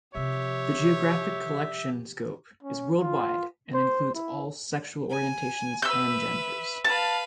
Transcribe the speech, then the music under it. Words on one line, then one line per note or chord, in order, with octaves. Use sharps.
The geographic collection scope is worldwide and includes all sexual orientations and genders.
C3 F3 G4 C#5 E5
C#4
F4
C5
E4
G#5
B4 E5 E6 G6
B4 F5 A5